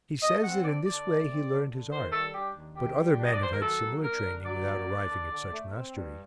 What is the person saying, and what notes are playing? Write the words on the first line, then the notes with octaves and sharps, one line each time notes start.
He says that in this way he learned his art, but other men have had similar training without arriving at such mastery.
A3 D#5
C4 F#5
D3 D5
D3 D5
A3
C4
D3
D3
D#3 C5
G3 A4
D4 G4
D#2
D#3 G4
G3
D4
D#5
D5
D#2 C5
A#4
F#3 A4
A#3
D4 A#4
D3
F#3 D5
A#3
D4
D3
D3
A3
C4
G2